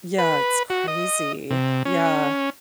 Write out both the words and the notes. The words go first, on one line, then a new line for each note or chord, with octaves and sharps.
Yeah, it's crazy. Yeah,
B4
F#4
D#5
C3
C#4